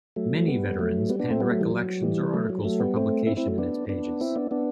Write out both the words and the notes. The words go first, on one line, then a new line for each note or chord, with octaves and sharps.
Many veterans penned recollections or articles for publication in its pages.
F#3 A3
G3 B3
F#3 A3
G3 B3
B3 D4
A3 C4
G3 B3
F#3 A3
E3 G3
F#3
E3 G3
F#3 A3
F#3
F#3 A3
G3 B3
A3 C4
C4 E4
C4 E4
F#3 A3
B3 D4
B3 D4
C4 E4
B3 D4
B3 D4